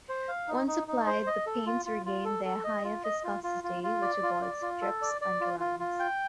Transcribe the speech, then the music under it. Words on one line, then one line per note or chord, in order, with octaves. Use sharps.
Once applied the paints regain their higher viscosity which avoids drips and runs.
C5
F5
D#4
D#4
D#4
C5
D#5
A4
F4
F4
F4
A4
A4
D#5
F4
D#5
F4
F4
F4
F4
D5
F4
D5
F4
A4
D5
D5
F4
F4
F4
G5